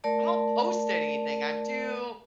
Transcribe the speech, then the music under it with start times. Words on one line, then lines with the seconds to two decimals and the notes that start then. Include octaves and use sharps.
I don't post anything, I'm too
0.04 A3 A#4 D5 A5